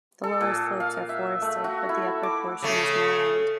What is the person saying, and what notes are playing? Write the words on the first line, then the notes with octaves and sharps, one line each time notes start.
The lower slopes are forested, but the upper portion is moorland.
A4
A#2
F5
E5
A3
F#4
E4
D6
C#3 A3